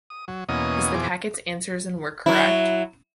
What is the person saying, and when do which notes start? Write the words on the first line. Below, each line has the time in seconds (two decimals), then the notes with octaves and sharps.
Is the packet’s answers and work correct?
0.10 D#6
0.28 F#3
0.49 E2 B2 A#3 C#4 D#5 D#6
0.94 F2 B2 E3 G#4 C5 D6
2.26 F#3 E4